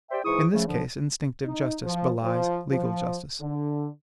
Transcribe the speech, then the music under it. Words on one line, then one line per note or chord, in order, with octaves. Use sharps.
In this case, instinctive justice belies legal justice.
G4 C5 D5 E5 G5
G#2 E3 E4 G#4 C#6 D#6
C#3 F3 A3
D3 F3
D#4
F3
F3
F3
D3